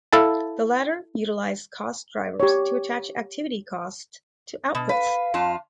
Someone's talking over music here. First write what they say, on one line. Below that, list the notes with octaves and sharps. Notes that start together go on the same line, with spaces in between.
The latter utilize cost drivers to attach activity costs to outputs.
E4 A4 F5 A5
G4 C#5
B2
B4 F5
F2 F4 A5